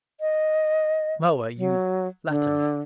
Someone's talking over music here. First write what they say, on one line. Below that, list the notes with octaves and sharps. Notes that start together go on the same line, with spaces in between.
"Moa, you flatter me."
D#5
F#3
D3